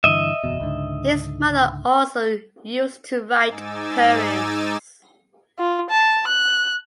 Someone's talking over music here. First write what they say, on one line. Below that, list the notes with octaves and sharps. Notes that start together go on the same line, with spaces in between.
His mother also used to write poems.
G2 D3 E3 D#5 E5
F#1 E2 B2
C#2 G#2 D3
G#2 D#4 G#5 D6 E6 A6
F4
A5
F#6